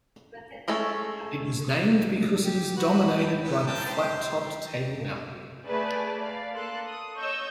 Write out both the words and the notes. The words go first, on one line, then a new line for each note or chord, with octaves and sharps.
It was named because it is dominated by the flat-topped Table Mountain.
G#3 A3 C#4 A4
G4
F#4 B4
G5
E3 B3
G5 A5 A#5
E4 G4 C5
A3 G#4 B4 D5 A5
D5 F5
A#3 A4 C6 F#6
D#6
C#5 D#5 C#6 E6 G6